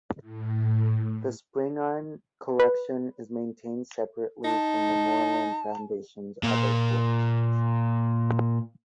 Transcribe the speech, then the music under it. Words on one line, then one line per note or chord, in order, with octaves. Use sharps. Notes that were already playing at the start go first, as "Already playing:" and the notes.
The Spingarn Collection is maintained separately from the Moorland Foundation's other collections.
A2
B4
D#4 A5
A#2 A#3